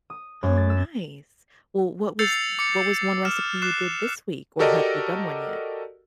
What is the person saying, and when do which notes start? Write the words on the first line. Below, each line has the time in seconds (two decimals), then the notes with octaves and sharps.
Oh, nice. Well, what was what was one recipe you did this week, or have you done one yet
0.10 D#6
0.43 F#2
0.57 A6
0.70 E6
2.19 E6 G6 A6 C7 C#7 F7
2.59 D6 C#7
3.25 F6 E7
3.62 D6 F#6 C7 E7
4.59 F#4 G4 A4 A#4 D5 D#5